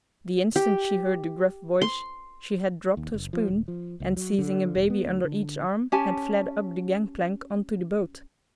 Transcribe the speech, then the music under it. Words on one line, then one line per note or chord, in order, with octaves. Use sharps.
The instant she heard the gruff voice she had dropped her spoon, and, seizing a baby under each arm, had fled up the gangplank on to the boat.
G4
C6
D#2
F#1
F3
D#1
F3
C#2
F#3
D3
E1
B3
D2
D3
C#4 G4 G#5 A5